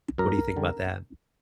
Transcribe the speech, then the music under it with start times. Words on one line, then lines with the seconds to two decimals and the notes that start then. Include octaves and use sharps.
What do you think about that?
0.18 F#2 A#4
0.57 D3 G3